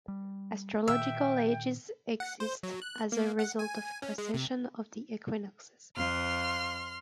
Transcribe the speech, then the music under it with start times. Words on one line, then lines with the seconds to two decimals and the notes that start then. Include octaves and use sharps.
Astrological ages exist as a result of precession of the equinoxes.
0.08 G3
0.88 A#2 D#3 E5 G5
2.20 F#5
2.40 C5
2.63 F#3
2.82 F#6
3.12 A#3
3.39 F#5
3.59 G#5
4.02 C#4
4.18 G#3
4.34 C3
5.97 F2 C6 F6